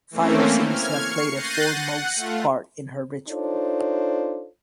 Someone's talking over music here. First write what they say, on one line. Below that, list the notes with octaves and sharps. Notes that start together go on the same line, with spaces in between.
Fire seems to have played a foremost part in her ritual.
E3 A3 A#3 C4 C#4
F6 G#6
C#6 C7 C#7
F#6 G6 A6 A#6 C7 D#7
F#5
A3 F4
D4 D#4 F4 A4 C5 C#5